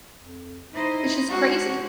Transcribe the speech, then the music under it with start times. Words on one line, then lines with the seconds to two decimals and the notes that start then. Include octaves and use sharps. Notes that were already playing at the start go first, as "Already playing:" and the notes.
Which is crazy.
0.18 F2
0.73 D#4 E4 C5 D#5
1.29 G#3 C#4 D4 F#4 C5